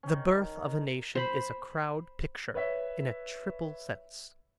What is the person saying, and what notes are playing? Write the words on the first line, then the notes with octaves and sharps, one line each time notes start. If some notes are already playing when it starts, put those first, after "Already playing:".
The Birth of a Nation is a Crowd Picture in a triple sense.
D#3 C#4
C5 B5
B4 C#5 E5 B6